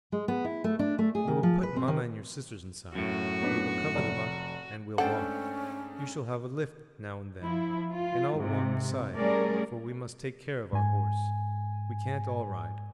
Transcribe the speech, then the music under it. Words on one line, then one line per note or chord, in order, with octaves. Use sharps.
'We will put mamma and your sisters inside, we will cover them up and we'll walk, you shall have a lift now and then, and I'll walk beside, for we must take care of our horse, we can't all ride.
G#3
B3
E4
A3
D4
A3
G#4
D#3
F3
B4
C4
D#3
F#2 A2 F#4
B3 D4 B4
F1
G#2 A3 C#4 D4 A4 C5 F#5 G5
F3 E4
F4
G#2 C3
G3 A3 C#4 G#4 A#4 D5
G#2 G#5